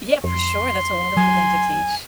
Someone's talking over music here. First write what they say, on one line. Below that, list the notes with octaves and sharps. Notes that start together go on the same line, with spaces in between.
Yeah, for sure, that's a wonderful thing to teach,
F2 C6
F#3 G#5